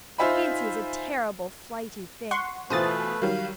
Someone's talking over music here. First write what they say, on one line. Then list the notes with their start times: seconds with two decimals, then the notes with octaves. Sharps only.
Nancy is a terrible flighty thing.
0.18 D#4 F4 C5 E5 G#5 B5
2.31 F#5 C6 C#6
2.70 B2 E3 A3 F4 B4 C5 D#6 A6
3.22 D#3 F#3 G3 F5